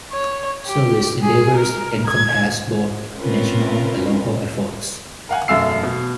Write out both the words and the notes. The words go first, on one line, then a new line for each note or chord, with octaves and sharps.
Service endeavors encompass both national and local efforts.
C#5
G4
G#4
A#4
G#6
C4 C#4 F4 A#4 B4
A#4 F5 F#5 G#5
E1 F#2 A3 F5 E6 C7
B2